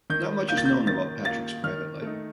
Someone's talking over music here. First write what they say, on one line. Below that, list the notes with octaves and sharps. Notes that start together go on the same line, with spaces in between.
Not much is known about Patrick's private life.
D#3 G6
A#3 F4 G6
A6
G6
D#3 A6
A#3 F4 A6
D#3 F6
A3 D#4